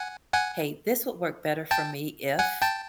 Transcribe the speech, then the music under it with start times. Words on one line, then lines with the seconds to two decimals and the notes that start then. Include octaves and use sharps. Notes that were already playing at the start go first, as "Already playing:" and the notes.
"Hey, this would work better for me if"
Already playing: F#5 G#5
0.33 F#5 G#5
1.71 G5 A5
2.39 F#5 G#5
2.62 G5 A5